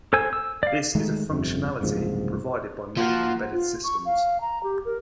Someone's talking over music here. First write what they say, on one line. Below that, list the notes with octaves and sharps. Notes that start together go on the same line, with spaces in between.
This is a functionality provided by many embedded systems.
A4 C5 G#5 E6
E6
D5 F5
D#3 G#3 A3
G1 F2 C3
F#1 C2 G#2 F3
F3 A#3 F4 F#4
F4
C#6
F5
A#5
G4
A#4